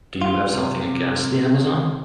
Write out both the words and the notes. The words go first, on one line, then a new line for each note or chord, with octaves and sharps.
Do you have something against the Amazon?
F4
C3
C3